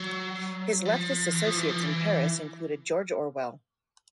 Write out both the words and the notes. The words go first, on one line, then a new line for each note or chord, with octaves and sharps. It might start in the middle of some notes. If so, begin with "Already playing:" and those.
His leftist associates in Paris included George Orwell.
Already playing: F#3
F3
E3
F3
E3
F3
E3